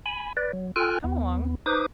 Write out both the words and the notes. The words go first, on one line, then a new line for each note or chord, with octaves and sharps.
Come along!'
G#5 B5
B4 D5
F#3
F4 A4 G5 G#5 F6 F#6
D#2 B3
D#4 B4 C5 D6 D#6